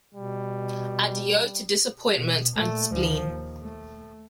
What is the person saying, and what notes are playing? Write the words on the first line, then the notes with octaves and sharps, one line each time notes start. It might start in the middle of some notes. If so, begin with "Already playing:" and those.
Adieu to disappointment and spleen.
B2 G3
B2
A#2 A3
D2 F3
D#2
A3